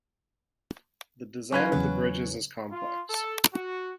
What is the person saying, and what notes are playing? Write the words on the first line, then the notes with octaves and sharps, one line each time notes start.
The design of the bridges is complex.
F#3 C#4 D#4 F4 B4 G#5
E2 C#3 F#3
F4
A4
F#4